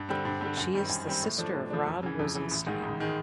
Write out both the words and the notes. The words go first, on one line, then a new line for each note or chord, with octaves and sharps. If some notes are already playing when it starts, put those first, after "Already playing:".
She is the sister of Rod Rosenstein.
Already playing: G2
D3 G3 C4
G2
D3 G3 C4
F#2
D#3 G3 C4
F#2
D#3 G3 C4
A2
F3 A3 D4
A2
F3 A3 D4
F2
C#3 E3
F2
C#3 E3
A1
G#2 D#3 G#3
A1
D#3 G#3